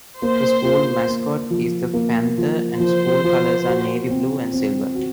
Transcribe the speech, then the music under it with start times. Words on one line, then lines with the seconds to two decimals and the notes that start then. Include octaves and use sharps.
The school mascot is the Panther, and school colors are navy blue and silver.
0.21 A#3 C5
0.64 F4
1.08 A#3
1.50 F3
1.94 A#3
2.38 F3
2.80 F3 C5
3.24 F3
3.67 F#4
4.10 C4
4.53 C4
4.95 F#4